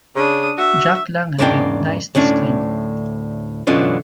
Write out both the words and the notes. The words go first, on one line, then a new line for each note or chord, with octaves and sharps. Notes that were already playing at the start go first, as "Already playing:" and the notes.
Jack Langan denies this claim.
C#3 D4 D#6
F#4 E5
E2 G#2 C#3 A#3 D4 G5
D2 A2 C#4 D4
F#2 B2 D3 E3 C#4 F4